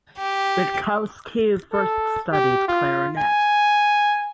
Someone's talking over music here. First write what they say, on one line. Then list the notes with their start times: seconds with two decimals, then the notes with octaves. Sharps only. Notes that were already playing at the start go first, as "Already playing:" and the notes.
Witkowski first studied clarinet.
0.18 G4
1.73 A4
2.32 G4
2.68 F4
3.18 G#5